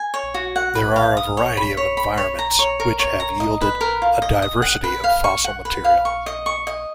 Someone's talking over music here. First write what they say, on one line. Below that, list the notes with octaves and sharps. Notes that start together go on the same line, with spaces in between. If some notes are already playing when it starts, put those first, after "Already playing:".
There are a variety of environments, which have yielded a diversity of fossil material.
Already playing: G#5
C#5
F#4
F#5
B4
F5
D#6
C#5
B5
C#5
B5
C#5
A#5
C#5
A#4
C#5
A#5
D#5
B4
A#4
F4
D#5
D#6
F#5
B4
F5
C#6
F#5
B4
F5
C#6
D#5
C#6
D#5